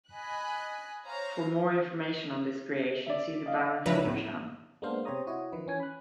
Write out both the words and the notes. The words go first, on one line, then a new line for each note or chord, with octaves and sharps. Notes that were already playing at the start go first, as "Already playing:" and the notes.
For more information on this creation, see the Baron Feversham.
D#5 G#5 B5 F#6
C5 C#5 F5 A#5
D5 E5
D#5 F5
C#2 F3 D4 B4 C#5 D5 E5 A#5
A2 B3
G#3 A#3 B3 D4 C5 F5
C3 G4 C5 C#5 A#5 D#6
E4 F#4 C#5 D#5
D#3 F3 D#4 B4
E3 C#4 G#5
B5 F#6